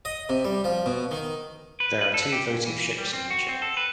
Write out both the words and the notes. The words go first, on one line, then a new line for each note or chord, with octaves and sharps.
There are two votive ships in the church.
D#5
C3
G3
F3
B2
D#3
B4
B4
A4
G4
A#2
E3
G3
C4
F#4
C4
A4
B4